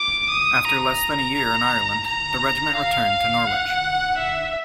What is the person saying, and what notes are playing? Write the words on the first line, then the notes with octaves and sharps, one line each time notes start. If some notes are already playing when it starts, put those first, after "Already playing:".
After less than a year in Ireland, the regiment returned to Norwich.
Already playing: D6
D#6
A#5
A#5
A#5
F5
F#5
E5